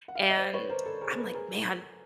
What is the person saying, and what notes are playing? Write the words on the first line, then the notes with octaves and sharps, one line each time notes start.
and I'm like, "Man,
F#5
F5
E5
D#5
C5 D5
B4 C#5
A#4 C5
A4
G#4 A#4
A#4
A4 B4
B4
G#4 A#4